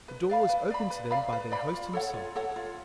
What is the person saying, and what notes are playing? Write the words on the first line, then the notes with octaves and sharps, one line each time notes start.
The door was opened to them by their host himself.
B4
D5 F5 B5
B4
D5 F5 B5
B4
D5 F5 B5
B4
D5 F5 B5
F4
A4 C#5 F#5
F4
A4 C#5 F#5
F4